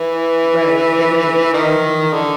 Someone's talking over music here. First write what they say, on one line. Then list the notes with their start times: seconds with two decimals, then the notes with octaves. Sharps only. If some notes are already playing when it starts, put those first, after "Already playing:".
Right, get ready, mhm.
Already playing: E3
1.53 D#3
2.13 D3